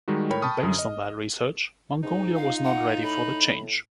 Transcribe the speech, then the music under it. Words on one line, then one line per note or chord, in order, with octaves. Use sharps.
Based on that research, Mongolia was not ready for the change.
D#3 G3 G#3 D#4 F#4
A2 A#4 C#5 G5 B5
G5 A5 B5 C#6 D#6 F6
F#2 D3
D#5
G#2 D#4
F4 F5
F#5
A2 B5